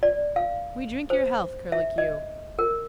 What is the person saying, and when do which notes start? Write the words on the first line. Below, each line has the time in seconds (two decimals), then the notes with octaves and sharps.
'We drink your health, Curlicue.
0.03 D5
0.36 F5
1.10 C5
1.72 E5
1.98 D#5
2.59 A#4